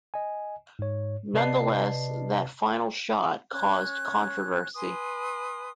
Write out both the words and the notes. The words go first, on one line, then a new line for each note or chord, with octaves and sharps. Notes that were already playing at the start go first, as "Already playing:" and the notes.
Nonetheless, that final shot caused controversy.
D#5 G#5
G#2 C#5
C3 B4 D5 D#5 A5 C7
C#4 F#6
B4 G#5 C6 D#6